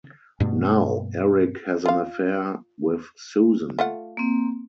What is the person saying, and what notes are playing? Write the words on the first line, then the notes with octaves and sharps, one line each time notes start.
Now, Erik has an affair with Susan.
G2 B2 A3
F4 F5
A3 F4 F#5
A#3 C4